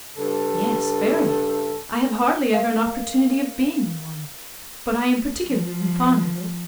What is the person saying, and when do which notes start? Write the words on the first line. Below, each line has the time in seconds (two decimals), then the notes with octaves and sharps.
"Yes, very: I have hardly ever an opportunity of being in one; but I am particularly fond of it."
0.17 G2 C#3 A4
2.51 A#4 F5
5.47 F3